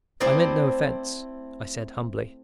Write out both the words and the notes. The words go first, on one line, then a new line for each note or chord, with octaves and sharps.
"I meant no offence," I said humbly.
A3 C4 E4 C5 D5 D#5